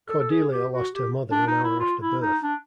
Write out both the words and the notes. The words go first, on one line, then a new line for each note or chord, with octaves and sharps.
Cordelia lost her mother an hour after birth.
A4
A4
G#4
G4
F#4
G4
D4
D#4
E4
F4
E4
D#4
D4